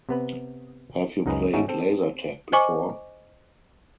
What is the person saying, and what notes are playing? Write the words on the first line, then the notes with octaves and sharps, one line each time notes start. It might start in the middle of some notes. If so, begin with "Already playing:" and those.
Have you played laser-tag before?
C3 B3 B4
C#2 F#2 D#4 G#4 B4
G#2 A3 C#4 D#4 F#4
C4 A4
C5 D#5 G#5 C#6 D6